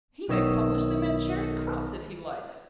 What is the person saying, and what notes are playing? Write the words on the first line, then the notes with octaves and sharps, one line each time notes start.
"He may publish them at Charing Cross if he likes."
B1 D#3 B3 C#5 D#5 E6